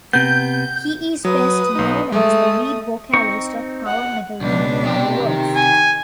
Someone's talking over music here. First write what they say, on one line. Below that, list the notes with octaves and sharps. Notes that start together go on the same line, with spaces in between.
He is best known as the lead vocalist of power metal band Powerwolf.
C3 B3 G6
F#3 B4 D#6
B1 D#4
G#3 A3 D#6
C4 D#4 C#6
F#5
C#2 B2 D4
C3 G4
D#3
G#5